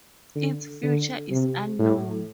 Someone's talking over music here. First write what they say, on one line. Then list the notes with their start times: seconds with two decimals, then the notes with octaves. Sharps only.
Its future is unknown.
0.35 D3
0.83 D3
1.31 C3
1.79 A2